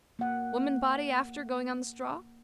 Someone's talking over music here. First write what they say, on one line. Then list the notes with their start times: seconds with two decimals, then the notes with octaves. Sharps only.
Womanbody after going on the straw?
0.19 A#3 F#5